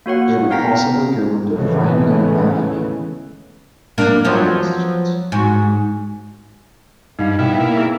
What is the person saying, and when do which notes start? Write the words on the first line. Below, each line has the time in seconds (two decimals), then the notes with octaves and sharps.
It would possibly go under Vineland Avenue and Vanowen Street.
0.06 A#3 F#4 C#5 F#5
0.50 B3 F5 G5 A#5 A#6 B6
1.53 A2 C#3 E3 G#3 A3 B3
3.98 A#3 D4
4.25 F3 F#3 B3
5.32 G#2 F#4
7.19 G2 D#4 F5
7.39 B2 E4 G5 F6
7.60 A#3 E4
7.77 B3 G#4